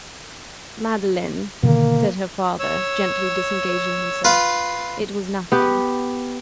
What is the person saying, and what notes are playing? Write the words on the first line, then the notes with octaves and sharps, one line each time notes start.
'Madeline,' said her father, gently disengaging himself, 'it was nothing.'
B2 D3 D#3 A#3
C#5 E6
F4 B4 F5
B3 G4